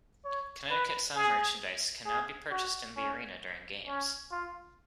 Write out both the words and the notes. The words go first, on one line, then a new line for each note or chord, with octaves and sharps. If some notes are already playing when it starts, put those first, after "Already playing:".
Connecticut Sun merchandise can now be purchased in the Arena during games.
C#5
B4
G#4
G#4
F#4
C#4
C#4
F4